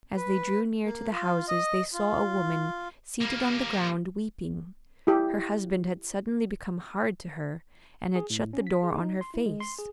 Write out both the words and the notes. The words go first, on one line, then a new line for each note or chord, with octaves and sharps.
As they drew near to the houses they saw a woman seated on the ground, weeping; her husband had suddenly become hard to her and had shut the door on her face.
B4
A#3
F4
D#5
F4
G3 A#3
E4 G4
G#4
A2
C#4
B6
G#4
D#4
C6
E4
G#3
C6
G#4